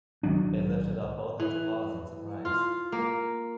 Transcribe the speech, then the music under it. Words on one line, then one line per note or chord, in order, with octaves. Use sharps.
It lifted up both its paws in surprise.
B1 D#3 F#3 D4
E3
F4
A#3